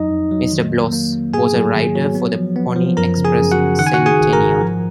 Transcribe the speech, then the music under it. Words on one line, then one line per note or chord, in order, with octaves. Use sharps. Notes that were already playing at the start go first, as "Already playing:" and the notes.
Mr. Bloss was a writer for the Pony Express Centennial.
Already playing: F2 F#3 D#4 D#5
F2
F#3
D#3
A#3
A#3
A#3
G#2 G#4 G#5
F#3
D#3
F#3
B3
F3
B3
F3
F#2 A#4 A#5
C#3
G#4 G#5
F#2
F#4 F#5
C#3
D#3 F#5
G#5
F#4 F#5
D#3
G#4 G#5
G#1
A#4 A#5
G#2
F3